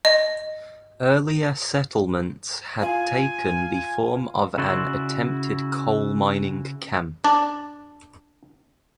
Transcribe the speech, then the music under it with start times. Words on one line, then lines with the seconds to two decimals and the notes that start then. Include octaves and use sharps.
Earlier settlements had taken the form of an attempted coal mining camp.
0.05 D#5
2.82 F4 F5 G#5
4.58 C#3 E4 F#4 D5 C6
7.24 D4 D5